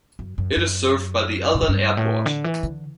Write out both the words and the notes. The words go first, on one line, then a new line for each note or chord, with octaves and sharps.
It is served by the Aldan Airport.
F#2
F#2
F#2
B2
A2
G2
A2
D3
E3
D3